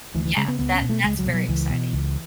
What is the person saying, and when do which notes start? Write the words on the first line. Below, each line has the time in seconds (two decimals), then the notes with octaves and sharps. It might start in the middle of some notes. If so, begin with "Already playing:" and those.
Yeah, that that's very exciting.
0.15 D2 E3
0.25 E3
0.37 C#3 G#3
0.48 B3
0.59 C#2 B3
0.74 C#4
0.82 B2
0.89 A3
1.04 C#2 G#3
1.19 F#3
1.26 B2
1.33 F#3
1.48 C#2 E3
1.70 B2
1.93 C#2